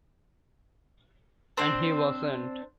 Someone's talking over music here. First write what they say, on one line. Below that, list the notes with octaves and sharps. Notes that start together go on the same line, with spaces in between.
And he wasn't.
C4 D4 C5